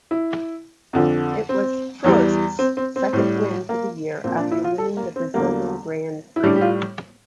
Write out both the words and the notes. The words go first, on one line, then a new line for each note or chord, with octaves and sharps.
It was Prost's second win for the year after winning the Brazilian Grand Prix.
E4
F2 D3 F3
C4
E2 E3 G3
C4
C4
C4
A2 G3
A#3
A#2 F3 C4
D4
E4
F4
A4
A#3
C4
E2 D3 G3 A#3
E4
A2 G3 D4
G4
F4